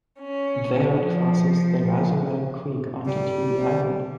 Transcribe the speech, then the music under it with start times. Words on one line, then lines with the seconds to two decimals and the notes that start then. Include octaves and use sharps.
There it crosses the Lazaretto Creek onto Tybee Island.
0.18 C#4
0.97 F3
3.06 G3